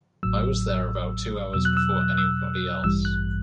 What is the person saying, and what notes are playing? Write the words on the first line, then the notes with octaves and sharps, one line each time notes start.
I was there about two hours before anybody else.
A1 A2 F#3 E6
E2 B2 F#3 E6
F#6
E6
E6
A1 G2 E3 G3 E6
F#6